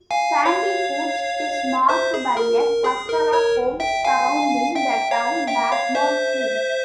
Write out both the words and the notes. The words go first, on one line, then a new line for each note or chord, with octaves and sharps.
Sandy Gulch is marked by a cluster of homes surrounding the town baseball field.
F5 G#5
C#5 F5
C5 E5
G#4
A#4
A#4
G#4
A#4
A#4 C#5
E5 G5
F5 G#5
E5 G5
C#5 F5
E5 G5
C#5 F5
C5 E5